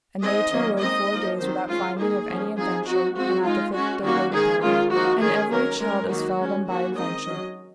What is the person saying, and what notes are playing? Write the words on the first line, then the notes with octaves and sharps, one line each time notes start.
And they two rode four days without finding of any adventure, and at the fifth day they departed. And everych held as fell them by adventure.
G#3 C4 D#4 D#5
D#3 F#3 A#3 C#4
G#3 C4 D#4 D#5
F3 A#3 D#4
D#3 F#3 C4 D#4 C5
G#3 C#4 F4
D#3 A#3 D#4 G#4
F3 A#3 C#4
F3 C4 D#4 G#4
F#3 C4 D#4 F#4
F3 G#3 C4 F#4
G#3 D#4 F4
G#3 C#4 F#4
D#3 A#3 C#4 F#4
D#3 G#3 D#4 G#4
D#3 G#3 C#4 F4
F3 A#3 D#4 F#4
D#3 G#3 C#4 G#4
D#3 F#3 A#3 C#4 A#4
G#3 C#4 A#4
D#3 F#3 A#3 D#4 F#4
G#3 C#4
D#3 A#3 C#4 F#4
D#3 G#3 C4 D#4 D#5
F#3 C#4